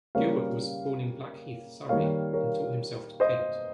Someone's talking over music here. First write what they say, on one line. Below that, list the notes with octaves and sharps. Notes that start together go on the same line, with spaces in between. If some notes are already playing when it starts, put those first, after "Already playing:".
Gilbert was born in Blackheath, Surrey, and taught himself to paint.
C#3 G3 A#3 C#5 F5
D#3 G3 A#3 C#5 F5
A#4 C#5
C5 D#5